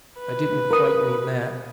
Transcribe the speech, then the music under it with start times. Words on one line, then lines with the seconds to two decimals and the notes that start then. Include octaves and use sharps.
"I didn't quite mean that."
0.20 B4
0.71 A#4 D#6